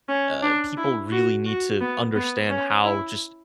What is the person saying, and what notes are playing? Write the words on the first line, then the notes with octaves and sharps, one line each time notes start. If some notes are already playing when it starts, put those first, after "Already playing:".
uh, people really need to understand how just
C#4
D4
E4
F#4
F#4
B3
B3
C#4
E4